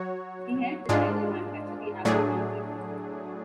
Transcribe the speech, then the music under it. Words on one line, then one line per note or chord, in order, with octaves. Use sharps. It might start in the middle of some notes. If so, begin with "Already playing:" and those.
He helped design and manufacture the Apple One keyboard.
Already playing: F#3 F#4 C#5
G#2 G#3 D4 F4
A2 F#3 A3 D4 G#4